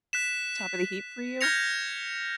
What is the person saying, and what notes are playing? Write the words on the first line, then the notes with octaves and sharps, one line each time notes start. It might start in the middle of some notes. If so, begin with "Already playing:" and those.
top of the heap for you?
F#6 B6 E7
F6 G6 G#6 A#6 C#7 F7